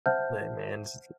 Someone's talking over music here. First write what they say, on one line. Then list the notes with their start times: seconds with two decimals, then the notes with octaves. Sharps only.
My man's
0.06 C5 E5 F#5 A5 F6 G6